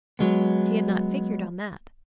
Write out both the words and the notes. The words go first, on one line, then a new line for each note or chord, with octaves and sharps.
She had not figured on that!
F#3 G#3 B3